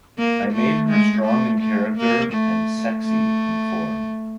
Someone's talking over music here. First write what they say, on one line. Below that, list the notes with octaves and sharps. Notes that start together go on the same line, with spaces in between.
I made her strong in character and sexy in form.
A#3
A3
G#3
A3
A3
A#3
A3
A3